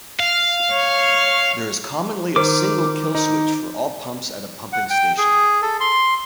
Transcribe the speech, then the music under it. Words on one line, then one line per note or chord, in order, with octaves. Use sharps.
There is commonly a single kill switch for all pumps at a pumping station.
F5
C#5
D#3 A#4 C5 D6
D#4
F#5
G5
G#4
A4
C6